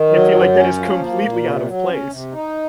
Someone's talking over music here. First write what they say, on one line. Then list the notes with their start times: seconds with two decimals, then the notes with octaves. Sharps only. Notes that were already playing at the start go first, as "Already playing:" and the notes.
I feel like that is completely out of place.
Already playing: D#3
0.09 F#3
0.32 F#2
0.54 C#4
0.76 F3
0.99 A#3
1.21 A#2
1.44 C3
1.66 F#3
1.88 C#4
2.10 C3
2.33 D#4